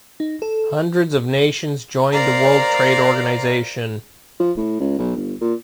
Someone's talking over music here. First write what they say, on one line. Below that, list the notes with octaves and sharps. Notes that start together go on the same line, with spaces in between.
Hundreds of nations joined the World Trade Organization.
D#4
A4
A#4 C5 D5 F5 A#5
F3
A2
C#2
B1
G1
A#2